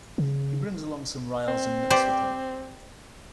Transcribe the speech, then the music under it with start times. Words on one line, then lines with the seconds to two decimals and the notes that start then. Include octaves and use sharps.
He brings along some Ryls and Knooks with him.
0.18 C#3
1.48 C4
1.90 G4 C5 D5